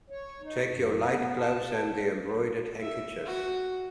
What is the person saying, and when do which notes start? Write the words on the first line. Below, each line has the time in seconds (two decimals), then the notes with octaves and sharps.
Take your light gloves and the embroidered handkerchief.
0.10 C#5
0.42 D#4
0.68 F#2
1.10 B3
1.39 A5
2.82 E5
3.25 F#4